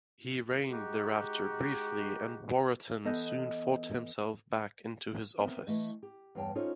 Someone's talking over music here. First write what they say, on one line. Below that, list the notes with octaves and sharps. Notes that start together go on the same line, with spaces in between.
He reigned thereafter briefly and Waratton soon fought himself back into his office.
G#3 D#4 F#4 G4
E3 B3 A4 D#5 F#6 G6
B3 C4 A#4 E5
E3 A3 D#5
G4
E2 G2 C#5 G5 A5
C#4 D#4 F4 A4 C5 C#5